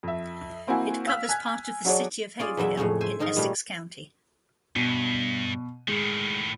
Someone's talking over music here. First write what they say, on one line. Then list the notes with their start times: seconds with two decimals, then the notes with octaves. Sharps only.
It covers part of the city of Haverhill in Essex County.
0.03 F2 E5
0.67 A#3 C4 E4 F#4 G#5
1.07 F5 E6 F6 B6
1.29 G#5 F#6 G#6 B6
1.85 F#3 D4 F#4 G#4 C#5 D5
2.39 C#4 F4 G#4 D5
2.57 E2 A#2 F#3 E5
2.77 F2 A2 C#3 C#4
3.01 C5 E5 G#5
3.19 G#2 D#3 D#4 A#4 C6
3.36 A#2 G3 A3 C#4
4.76 G2 B2 D#7
5.88 A2 D#3 G#3